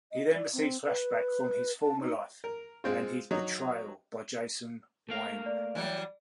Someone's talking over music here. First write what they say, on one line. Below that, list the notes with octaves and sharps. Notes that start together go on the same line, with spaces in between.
He then receives flashbacks of his former life, and his betrayal by Jason Wynn.
D#5
D5
C4
B4
A5
D#4
A#4
G#3 C4 F4
F#3 D#4
A3 A#3 F5
D5
E3 F#3 G3